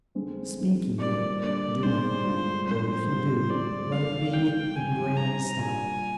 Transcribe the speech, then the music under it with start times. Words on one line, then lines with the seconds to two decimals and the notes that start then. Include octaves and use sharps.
Speak evil, do none; or if you do, let it be in grand style.
0.15 F2 D3 G#3 C4 D#4
0.56 F2 C3 D#3 G#3
0.98 A#2 G3 C4 D#4 D5
1.40 D3 G3 A#3 D4 D5
1.83 D#3 G#3 C4 C5
2.24 G2 D3 G#3 D4 F4
2.66 G2 F3 G#3 C4 C5
3.08 G#2 D#3 G3 D4 F4
3.50 F2 D3 G3 C4 F4 D5
3.91 F2 D3 F3 G#3 D4 F5
4.33 C3 F3 G#3 D4 G5
4.75 G2 D3 F3 G#5
5.17 C3 G3 C4 D#4 A#5
5.58 A#2 G3 D4 F4 G#5